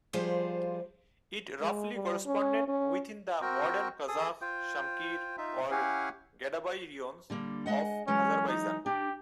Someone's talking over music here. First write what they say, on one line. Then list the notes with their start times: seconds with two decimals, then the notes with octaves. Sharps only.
It roughly corresponded within the modern Qazakh, Shamkir or Gadabay raions of Azerbaijan.
0.13 F3 G3 F4 G#4 C5 F5
1.61 G#3
1.95 G3
2.26 C#4
2.68 C#4
3.42 C4 F#4 A#4 G5
4.08 G#4 A4 D#6
4.42 F4 C5 G5
5.37 D#4 F4 E5
5.71 C#4 E4 G4 F5 F#5 G#5
7.30 D3 G3 A#3
7.66 G#3 D#5 F#5
8.08 E3 F#3 G#3 C#4
8.48 D#4
8.86 D4 G4